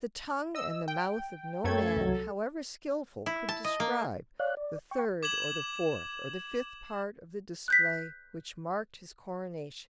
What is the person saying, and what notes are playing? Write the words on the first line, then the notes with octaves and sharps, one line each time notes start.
The tongue and the mouth of no man, however skilful, could describe the third, or the fourth, or the fifth part of the display which marked his coronation.
D#5 E6
G5
F#2 A3 A4 A#4 C#5 G5 G#6
C2 F#3
E4
A5
D#5
A#3
C#5 D5 F5 F#6
D5
G5 C#6
D6 G#6 E7 F#7
F#6 G6 B6